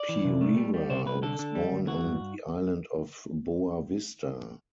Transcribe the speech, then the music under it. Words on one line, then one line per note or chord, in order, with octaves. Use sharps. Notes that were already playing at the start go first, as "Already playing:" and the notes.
Pereira was born on the island of Boa Vista.
Already playing: D5
E3
C3
A3
G3
G3
C3 C5
C2 B4
D3 A4
D3
G3
D2
E3 F#4
G2
G2